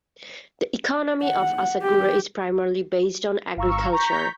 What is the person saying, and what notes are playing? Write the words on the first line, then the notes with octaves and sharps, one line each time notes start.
The economy of Asakura is primarily based on agriculture.
F#5
G4
G1 F5 A#5 C#6 E6
A#5 C#6 G6 B6